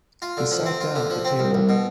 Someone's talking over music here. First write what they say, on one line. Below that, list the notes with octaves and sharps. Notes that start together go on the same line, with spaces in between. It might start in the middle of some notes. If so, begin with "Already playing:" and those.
He sat down at the table.
F4
D3
F3
C4
F4
D3
F3
C4
C2
C2
B2